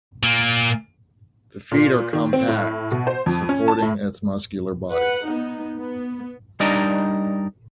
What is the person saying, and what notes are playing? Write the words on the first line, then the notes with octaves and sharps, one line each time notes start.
The feet are compact, supporting its muscular body.
A#2 A#3
A#2
D#3
C4
A2
B2
C5
F2
C#4
A5
A2
B4 F#5
B3 D#4
B3
G3 D4 D#4 A#4 D5 D#5